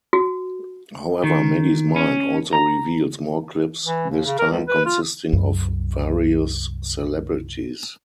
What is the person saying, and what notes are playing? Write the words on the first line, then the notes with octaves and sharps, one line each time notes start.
However, Maggie's mind also reveals more clips, this time consisting of various celebrities.
F#4
D#3
C#4
A#5
E3
D#2
C#3
A#4
C#2
B4
F4
C2 F#2